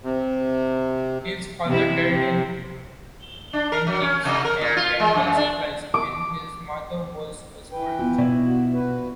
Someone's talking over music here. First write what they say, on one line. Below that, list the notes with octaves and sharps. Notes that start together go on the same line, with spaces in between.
His father dealt in antiques and dental supplies, and his mother was a schoolteacher.
C3
C3 E4
C3
D4
A#4
F#3
C#4
C3
A#4
A#2
F4
G#3
F#2
D4
D6
E3 B4 G5
B3 F4
B2 E4 D5
F#4
F#4 B4